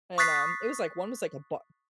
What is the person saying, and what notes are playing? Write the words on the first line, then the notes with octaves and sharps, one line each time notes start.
and, um, it was, like one was like a b
C#6 D#6 F#6 A6 B6 C7